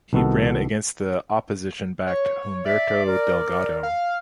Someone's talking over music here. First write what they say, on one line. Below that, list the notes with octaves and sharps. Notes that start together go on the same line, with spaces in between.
He ran against the opposition-backed Humberto Delgado.
C2 D#3 B3 F#4 A4
C#5
D5 E5
A#4
F5